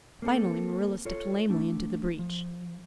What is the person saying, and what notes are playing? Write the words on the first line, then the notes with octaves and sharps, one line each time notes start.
Finally Marilla stepped lamely into the breach.
A#3 C4 A4
F4 A4 C#5
A3 D4
F3